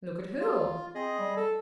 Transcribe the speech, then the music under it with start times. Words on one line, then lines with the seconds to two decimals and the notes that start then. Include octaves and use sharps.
"Look at who?"
0.39 F4
0.95 C4 G#4 D#5
1.19 G3
1.37 A4